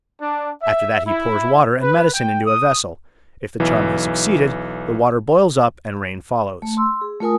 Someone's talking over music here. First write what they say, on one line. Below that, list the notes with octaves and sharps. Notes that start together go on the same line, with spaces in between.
After that he pours water and medicine into a vessel; if the charm has succeeded, the water boils up and rain follows.
D4
E5
E4
B4
G5
D#6
B1 E3
A3
C6 E6
G#4
A3 F4 A#4 G#5 D#6